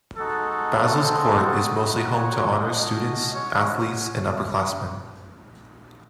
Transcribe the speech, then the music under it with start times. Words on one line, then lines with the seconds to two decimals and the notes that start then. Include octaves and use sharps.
Basil's Court is mostly home to honors students, athletes, and upperclassmen.
0.18 G#3 D#4 F#4 A4
0.97 G#3 C4 D#4 F#4
1.76 C4 D#4 F#4 D#5
2.15 C#5
2.55 A3 C#4 F#4 D#5
3.34 G#3 C#4 F#4 C#5
3.74 C#5